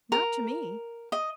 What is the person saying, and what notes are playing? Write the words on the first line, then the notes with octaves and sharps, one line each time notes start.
"Not to me."
A#4
D#5